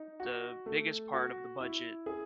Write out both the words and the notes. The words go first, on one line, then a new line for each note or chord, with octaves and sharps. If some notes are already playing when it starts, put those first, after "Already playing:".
the biggest part of the budget
Already playing: D#4
F#4
A3
F#4
E4
G#4